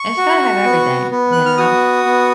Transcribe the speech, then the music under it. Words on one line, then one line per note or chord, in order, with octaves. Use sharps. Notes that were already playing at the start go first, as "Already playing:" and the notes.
it's gotta have everything, you know,
Already playing: C#6
F#4
B3
B3
F#6
F6
F#4 D#6
B3